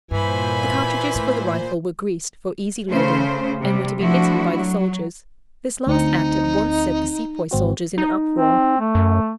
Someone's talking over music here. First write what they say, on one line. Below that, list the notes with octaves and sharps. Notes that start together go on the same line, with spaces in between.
The cartridges for the rifle were greased, for easy loading, and were to be bitten by the soldiers. This last act at once set the sepoy soldiers in an uproar.
G2 A#2 E3 C5 G#5 B5
A2
C#3 A3 C#4 C5
C3 G3
F3 A3 D4 E4 F#4
F#3
D2 C4 D#4 C#7
G#1 C4 F#4
D#4
C4
A3
F#2